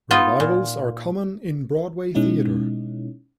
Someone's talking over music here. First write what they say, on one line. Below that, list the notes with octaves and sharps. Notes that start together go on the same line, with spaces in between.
Revivals are common in Broadway theatre.
B3 D#4 F4 D#5
A#2
B2 G#3 C#4 D#4 E4